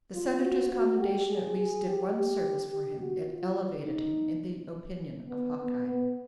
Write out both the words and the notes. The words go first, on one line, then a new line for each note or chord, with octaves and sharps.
The Senator's commendation at least did one service for him, it elevated him in the opinion of Hawkeye.
F4
F#4
F#4
G4
G#4
G#4
G4
G4
G4
F#4
F4
D#4
B3
B3
B3